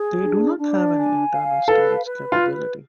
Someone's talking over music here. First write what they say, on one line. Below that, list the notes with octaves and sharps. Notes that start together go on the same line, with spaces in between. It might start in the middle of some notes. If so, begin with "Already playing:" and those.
They do not have any internal storage capability.
Already playing: G#4
D4
D4
G#5
F5
A4 B4
B4
F4